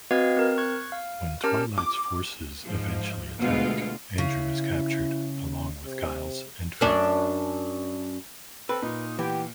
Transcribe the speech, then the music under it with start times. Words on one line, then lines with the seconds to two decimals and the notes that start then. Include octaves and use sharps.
When Twilight's forces eventually attack, Andrew is captured along with Giles and Faith.
0.11 C4 F#4 B4 D#5 F5 G#6
0.36 C4 A#4
0.58 C#6 F#6 G#6
0.92 F5
1.44 C#4 G4 A#4 A5 F6
1.78 D6
2.65 G#2 F3
3.40 D2 B2 G#3 F4 F5
4.18 C#3 E4
5.85 C3
6.81 F#2 C#4 D4
8.69 C4 A4 B4
8.83 A#2 D#4
9.19 E3 B3 G4